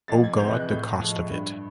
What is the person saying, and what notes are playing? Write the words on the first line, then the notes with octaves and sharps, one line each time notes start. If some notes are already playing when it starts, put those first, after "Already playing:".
O God, the cost of it!
F2 A6
G#6
C3 E3 G#3 G6
F#6
A2 G6
F3 G#3
G2